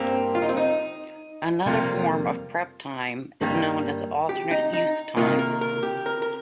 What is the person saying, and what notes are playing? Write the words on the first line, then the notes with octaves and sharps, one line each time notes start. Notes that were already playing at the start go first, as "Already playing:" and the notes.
Another form of prep time is known as alternate-use time.
Already playing: G2 G3 A#3 C4
F4
D#4
C4
D#4
F2 C3 G3 A#3 F4
G2 D#3 G3 A#3
G4
D#4
D#4
C3 D#3 A#3 F4
A#4
A#4
G4
A#4
A#4